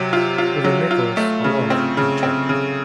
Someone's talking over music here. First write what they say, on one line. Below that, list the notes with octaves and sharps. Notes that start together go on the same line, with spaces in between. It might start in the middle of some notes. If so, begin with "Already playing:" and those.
Little Nicholas alone had changed.
Already playing: C3 F#3
F4
F4
F#3
F4
A3
C#3
C4
C#3
C4
C#3